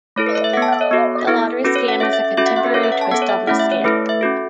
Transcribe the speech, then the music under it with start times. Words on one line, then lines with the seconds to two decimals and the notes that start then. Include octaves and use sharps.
The lottery scam is a contemporary twist on this scam.
0.16 A3 E4 A4 C#5
0.26 B4
0.35 C#5
0.44 E5
0.53 B3 A4 F#5
0.62 A5
0.73 E5
0.81 C#5
0.91 B3 F#4 A4
1.27 B3 E4 A4
1.64 C#4 F#4 A4 B4
1.76 C#5
1.88 F#5
2.00 C#4 A4 E5
2.13 E5
2.25 E5
2.37 C#4 F#4 A4 E5
2.46 F#5
2.56 E5
2.64 B4
2.74 C#4 A4 C#5
2.84 E5
2.92 F#5
3.01 A5
3.11 B3 A4 F#5
3.22 C#5
3.29 E5
3.47 A3 C#4 E4 F#5
3.59 E5
3.72 C#5
3.84 A3 E4 A4 B4
4.09 E5
4.21 C#4 F#4 A4